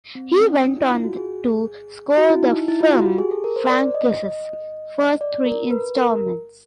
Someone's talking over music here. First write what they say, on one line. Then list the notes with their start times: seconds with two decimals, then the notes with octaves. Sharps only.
He went on to score the film franchise's first three installments.
0.15 C4
0.40 C#4
0.66 D4
0.78 E4
0.91 F4
1.04 F#4
1.16 G#4
2.17 F#4
2.30 E4
2.43 D#4
2.55 E4
2.68 E4
2.81 F4
2.93 F#4
3.06 G4
3.18 G#4
3.31 A4
3.44 A#4
3.56 C5
3.69 D5
3.94 D#5
5.21 D5
5.46 A#4
5.71 B4
5.96 A#4